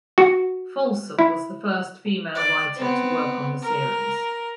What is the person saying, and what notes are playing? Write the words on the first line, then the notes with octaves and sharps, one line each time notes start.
Folsom was the first female writer to work on the series.
F#4
E4
D5
B3 C4
A#4